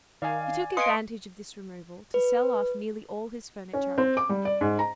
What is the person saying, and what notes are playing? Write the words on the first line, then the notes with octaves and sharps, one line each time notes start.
He took advantage of this removal to sell off nearly all his furniture.
D#3 D5 F5 G#5
B4 D#5 F5 G#5 C6 D#6 C#7 D7
B4
C#4
C4
D6
G3
D5
G#2
A#5